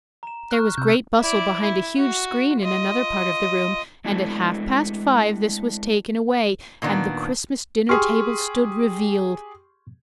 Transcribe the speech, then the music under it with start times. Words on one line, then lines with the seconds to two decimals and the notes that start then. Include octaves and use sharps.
There was great bustle behind a huge screen in another part of the room, and at half-past five this was taken away, and the Christmas dinner-table stood revealed.
0.23 A#5 E7
0.51 C#6 F6 F#6
0.78 C3 E6 G6
1.19 E4 D5
1.61 E4
1.97 F#4
2.60 F4 D#5
4.05 G#3 A3 C4 D4 E4 F#4
6.82 A#2 D#3 B3 D4
7.89 G4 G#4 C6 C#6 F6